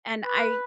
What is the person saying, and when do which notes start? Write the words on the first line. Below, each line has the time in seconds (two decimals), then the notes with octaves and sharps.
and I
0.25 B4